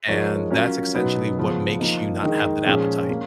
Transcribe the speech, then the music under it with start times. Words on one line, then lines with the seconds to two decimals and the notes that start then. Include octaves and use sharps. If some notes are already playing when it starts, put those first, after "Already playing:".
and that's essentially what makes you not have that appetite.
0.08 F3 G#3 D#4 A#4 C#5
0.51 F#3 C#4 F4 A#4 C#5
0.94 B2 F#3 B3 D#4
1.37 C#3 F3 B3
1.80 F3 A#3 D#4
2.23 D#3 G#3 D#4 A#4
2.66 A#2 F3 G#3 C#4 G#4
3.09 A#3 C#4